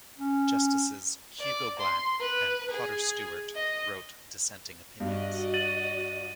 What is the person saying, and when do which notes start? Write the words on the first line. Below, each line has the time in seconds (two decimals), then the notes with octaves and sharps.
Justices Hugo Black and Potter Stewart wrote dissenting opinions.
0.18 C#4
1.40 D5
1.79 C6
2.20 B4
2.71 G#4
3.55 D#5
5.00 G2 F#4 D5 D#5
5.54 A6 D#7 F#7